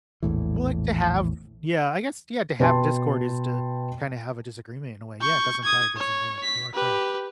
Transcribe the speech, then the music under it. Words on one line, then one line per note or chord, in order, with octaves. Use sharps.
Well, like, to have yeah, I guess yeah, to have "discord" is to, kind of have a disagreement, in a way, yeah, doesn't play, disagreement, you are correct.
A#1 E2 A2 E3
B2 B4 G5 A5 C6
C#6 G6
D#6 G#6
C#5
B6
G4 B4